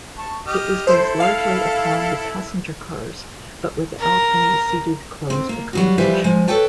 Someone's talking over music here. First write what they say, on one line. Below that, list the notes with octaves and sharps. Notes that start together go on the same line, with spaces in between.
It was based largely upon the passenger cars but without any seated closed accommodation.
A5 C#6
G4 D#5 F6
E4 A4 C5
F5
A#4
C4
A#3
F#3 G3 F#4
E3 F3 G3 B4 C5 E5
F3 G#3
A4 B4 C#5 G5 A5